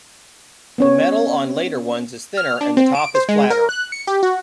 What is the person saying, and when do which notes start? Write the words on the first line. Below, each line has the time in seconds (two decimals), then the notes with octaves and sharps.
The metal on later ones is thinner and the top is flatter.
0.78 B3 C#4 C#5
2.37 F6
2.61 D4
2.77 C4
2.95 D7
3.15 C5
3.29 G#3
3.50 A#4
3.69 F#6
3.92 C#7
4.07 G4
4.23 F#4